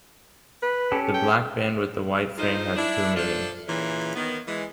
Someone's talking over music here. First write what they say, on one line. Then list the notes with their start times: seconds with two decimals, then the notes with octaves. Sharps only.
The black band with the white frame has two meanings.
0.62 B4
0.92 C#4 G4 A4
1.14 G5
2.38 F3 G#3 D#4 C5
2.77 D4 E4
3.16 F3 D4 F4 A4
3.68 A#2 C#3 E3
4.15 D#3 B3
4.47 E3 G#3